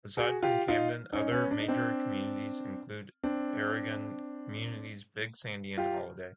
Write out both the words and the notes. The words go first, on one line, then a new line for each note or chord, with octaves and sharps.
Aside from Camden, other major communities include agrarian communities Big Sandy and Holladay.
F#4 G#4
F4 G4
D#4 F4
C#4 D#4
B3 C#4
D4
D#4
C4 D4
C4 D4
F4 G4